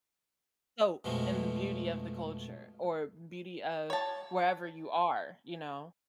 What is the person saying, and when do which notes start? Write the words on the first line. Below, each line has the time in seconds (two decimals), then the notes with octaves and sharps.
soak in the beauty of the culture or beauty of wherever you are, you know?
1.04 F2 B2 F3 G#3 A3
3.90 C#5 A5